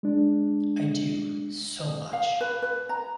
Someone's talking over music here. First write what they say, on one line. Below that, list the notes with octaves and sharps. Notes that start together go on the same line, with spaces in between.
I do, so much.
G#3 D4
F5
B4
B4
A#5